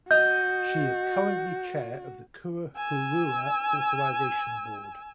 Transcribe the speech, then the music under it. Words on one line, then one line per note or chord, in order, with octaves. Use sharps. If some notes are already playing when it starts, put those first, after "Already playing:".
She is currently Chair of the Kura Hourua Authorisation Board.
F#4 D#5 G6
G#5 E6